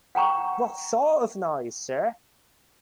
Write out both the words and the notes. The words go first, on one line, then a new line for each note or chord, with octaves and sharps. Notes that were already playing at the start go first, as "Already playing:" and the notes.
What sort of noise, sir?
F#5 G5 A#5 C#6